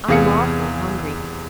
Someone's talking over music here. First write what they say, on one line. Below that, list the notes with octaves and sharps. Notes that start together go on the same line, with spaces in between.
I'm awfully hungry.
E2 C3 G#4 F5 C#7